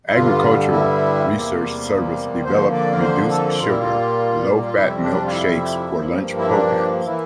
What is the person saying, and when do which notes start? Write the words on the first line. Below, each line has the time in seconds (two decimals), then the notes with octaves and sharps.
Agricultural Research Service developed reduced-sugar, low-fat milk shakes for lunch programs.
0.09 E4
0.14 G2 D3 G3 F4
0.72 E4
1.29 E2 C3 G3 A#3
2.44 F2 D3 F3 A#3 C5
2.73 D5
2.93 A#4
3.02 C5
3.30 A4
3.59 A#2 G3 A#3 F4
3.70 E4
3.79 F4
4.63 F4
4.74 F2 C3 G3 E4
5.03 D4
5.25 F4
5.32 E4
5.90 G2 F3 A#3
6.38 E4
6.47 D4
7.05 E3 A#3 E4